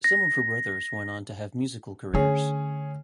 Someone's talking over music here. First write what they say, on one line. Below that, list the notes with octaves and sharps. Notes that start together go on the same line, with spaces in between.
Some of her brothers went on to have musical careers.
A#6
D3 A3 C#4 G#4 C#5